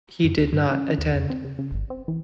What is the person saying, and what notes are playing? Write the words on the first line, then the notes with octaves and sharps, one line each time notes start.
He did not attend.
F#2
D2
G2
C#4
D#2
F2
C4
C#3
C#3
G#1
C4
E3